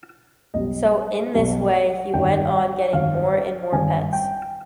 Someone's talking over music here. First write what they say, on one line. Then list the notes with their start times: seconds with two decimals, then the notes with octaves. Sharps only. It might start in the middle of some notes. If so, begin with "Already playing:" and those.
So in this way he went on getting more and more pets.
0.54 B1 B2 G3 D#5
1.34 B1 B2 G3
2.14 G#1 G2 D#3 G5
2.93 G#1 G2 D#3 F5
3.72 G#1 G2 D#3 G#5
4.13 G5